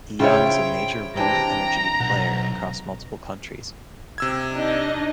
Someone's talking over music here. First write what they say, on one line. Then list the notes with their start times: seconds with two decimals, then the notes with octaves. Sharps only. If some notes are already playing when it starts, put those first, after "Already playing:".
Eon is a major wind energy player across multiple countries.
0.20 C#3 E4 F4 C5 C#5 G5
1.17 C3 E3 D4 G5 A#5
2.00 B1 F#5
4.18 C3 E6 G#6
4.53 D4 D#4 D#5